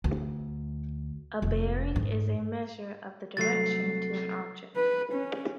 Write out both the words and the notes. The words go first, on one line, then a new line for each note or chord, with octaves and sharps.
A bearing is a measure of the direction to an object.
D2
F1
G#2
C2 F#3 A3 A6 C7
B4
C#4